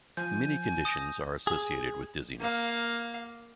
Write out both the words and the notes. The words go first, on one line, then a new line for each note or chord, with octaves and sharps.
Many conditions are associated with dizziness.
F3 G#5 G6
D#6 A#6
G#4
A#3 F5